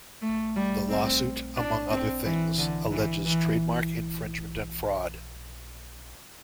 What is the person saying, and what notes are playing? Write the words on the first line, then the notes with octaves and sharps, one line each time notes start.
The lawsuit, among other things, alleges trademark infringement and fraud.
A3
G3
C4
D4
C4
E3
D3
E3
E3